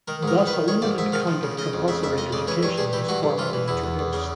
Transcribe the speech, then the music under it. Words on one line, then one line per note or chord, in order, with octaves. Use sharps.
Thus, a limited kind of compulsory education was formally introduced.
D#3 A#4
G#2 A#4
D#3
B4
D#3
D#3 C#5
G#2 D5
G#2 E5
D#3 F5
F3
C#3
C#3 D#5
F2
C#3 E5
F2 E5
F2 D#5
C#3 D5
E3 C#5
G2 C#5
G2 G#4
E3 G4
G2 F#4
G2
E3 F4
E3
E2 E4
E2
E2
C#3